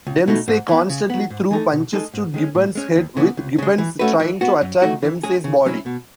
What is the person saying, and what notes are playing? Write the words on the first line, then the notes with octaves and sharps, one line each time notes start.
Dempsey constantly threw punches to Gibbons' head, with Gibbons trying to attack Dempsey's body.
C#2
B2 A3 D#4
G#2
E3 B3
C#3
F#3 B3
G#2
E3 A3 D#4 A4
B2
G#3 D#4 A4 D#5
G#2
D#3 G#3 C#4
A2
G#3 C#4
D#2
C#3 E3 B3
C#2
C#3 G#3
E3
A3 C#4 F#4 B4
E3
B3 F#4
F#2
E3 A3 D#4 F#4
E3
G#3 C#4 G#4
C#3
F#3 C#4 E4
B2